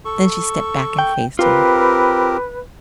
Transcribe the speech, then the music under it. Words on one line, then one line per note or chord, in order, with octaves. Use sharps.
Then she stepped back and faced him.
A4 C#6
G5
C4 F4 G4 A#4 B4